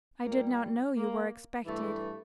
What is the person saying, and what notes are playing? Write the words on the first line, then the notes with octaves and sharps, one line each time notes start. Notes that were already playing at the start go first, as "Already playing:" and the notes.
"I did not know you were expected."
A#2 G3 A#3
A#3
G2 E3 A3